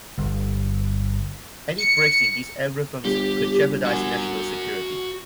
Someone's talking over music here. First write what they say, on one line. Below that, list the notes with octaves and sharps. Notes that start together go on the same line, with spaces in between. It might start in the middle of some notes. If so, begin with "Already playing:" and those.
Any breaks in these algorithms could jeopardize national security.
G1
C#7
G1 G4
F#4 G#5